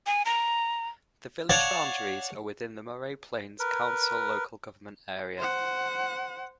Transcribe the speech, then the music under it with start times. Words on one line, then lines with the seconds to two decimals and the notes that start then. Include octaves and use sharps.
The village boundaries are within the Moree Plains Council local government area.
0.06 G#5
0.26 A#5
1.49 C#5 D5 F5 F#5 A5
3.59 A#4 B4
5.38 C5 F#5